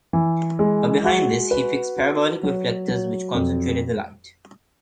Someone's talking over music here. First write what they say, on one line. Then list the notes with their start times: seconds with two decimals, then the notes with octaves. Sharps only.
But behind this he fixed parabolic reflectors which concentrated the light.
0.13 E3
0.59 G#3
1.05 F#4
1.51 B4
1.97 F#4
2.43 F#3
2.88 F#3
3.34 F2